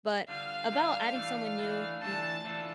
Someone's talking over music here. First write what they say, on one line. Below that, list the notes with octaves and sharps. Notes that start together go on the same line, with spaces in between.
but about adding someone new, you
D3 G3 D4 F4 F5
D3 G3 D4 F4
E3 A3 D4
E3 A3 D4
E3 A3 D4 F4 A4 A5
E3 A3 D4 F4 A4